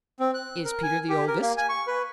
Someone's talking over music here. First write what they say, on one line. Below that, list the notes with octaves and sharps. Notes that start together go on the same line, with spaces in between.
"Is Peter the oldest?"
C4
F#6
A#4
G#5
G4
A#4
A#3
G#5
C#6
B4